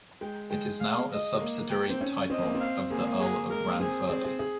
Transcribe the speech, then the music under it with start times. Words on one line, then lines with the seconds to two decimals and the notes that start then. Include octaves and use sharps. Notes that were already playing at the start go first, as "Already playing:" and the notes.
It is now a subsidiary title of the Earl of Ranfurly.
0.21 G#3 G5
0.50 G#3 G5
0.80 F5
1.11 D#5
1.35 G#3
1.40 A#3
1.70 G5
1.89 C4
2.01 C#4
2.30 C4 D#5
2.42 A#3
2.55 C4
2.60 F5
2.90 A#3 G#4
2.98 G#3
3.07 A#3
3.20 G#4
3.50 G#3 A#4
3.65 A#3
3.80 C4 G#4
4.09 C4 G#4
4.24 G#4
4.39 G#4